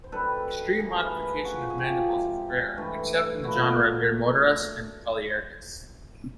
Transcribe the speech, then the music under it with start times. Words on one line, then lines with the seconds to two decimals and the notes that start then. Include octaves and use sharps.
Extreme modification of mandibles is rare, except in the genera "Myrmoteras" and "Polyergus".
0.04 C5
0.12 F#2 D#3 G3 A4 B4
0.79 G2 E3 A3 G#4 A#4
1.00 A4 B4
1.17 B4
1.23 G#4 A#4
1.45 F#2 C#3 F3 F#4 G#4
1.70 G#4
1.78 F4 G4
2.12 C3 D#3 G#3
2.77 G2 E3 A3
3.43 A#2 F#3 A3 E4 F#4